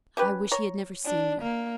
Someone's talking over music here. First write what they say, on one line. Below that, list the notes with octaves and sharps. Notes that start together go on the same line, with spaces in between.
"I wish he had never seen you."
C#4 G4 B4
C#5 A#5
D4
A#3